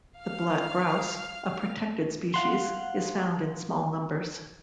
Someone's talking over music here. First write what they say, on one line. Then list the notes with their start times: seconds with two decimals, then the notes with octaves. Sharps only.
The black grouse, a protected species, is found in small numbers.
0.18 F5 F6
2.34 F5 F#5 C6